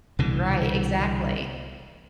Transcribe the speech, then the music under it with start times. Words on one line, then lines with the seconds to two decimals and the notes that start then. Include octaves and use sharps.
Right, exactly.
0.19 C2 B2 D3 E3